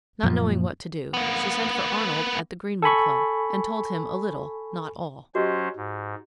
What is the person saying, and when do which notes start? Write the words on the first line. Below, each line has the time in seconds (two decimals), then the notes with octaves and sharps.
Not knowing what to do, she sent for Arnold at the Greenwood Club, and told him a little, not all.
0.23 F#2 A#2 F3
1.14 A#3 B3
2.82 A4 G#5 B5 C#6
5.35 F#3 C#4 F#4 G4 C5 D#5
5.76 G#2